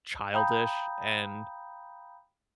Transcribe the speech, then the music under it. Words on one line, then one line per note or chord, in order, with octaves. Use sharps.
childish, and
F5 G5 A#5 B5 D#6 G6